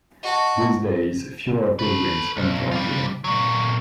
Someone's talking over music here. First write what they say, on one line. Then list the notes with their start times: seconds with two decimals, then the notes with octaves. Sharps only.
These days, fewer pilgrims come to Einsiedeln.
0.23 F#4 D#5 A5
1.79 A4 B4
2.37 B1
2.71 G3 F4
3.24 A#2 F#3